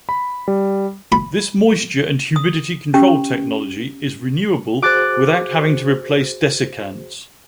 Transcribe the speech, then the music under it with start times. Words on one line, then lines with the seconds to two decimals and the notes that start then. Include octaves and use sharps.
This moisture and humidity control technology is renewable without having to replace desiccants.
0.09 B5
0.48 G3
1.12 B5
2.36 D#6
2.94 C#4 G4
4.82 F#4 G#4 C5 D6 F#6 A6